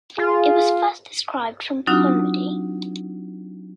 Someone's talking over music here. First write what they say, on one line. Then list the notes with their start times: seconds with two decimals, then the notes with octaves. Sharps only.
It was first described from Ponmudi.
0.18 F4 G#4
1.87 F#3 C4 D4 D#4 F4 F#4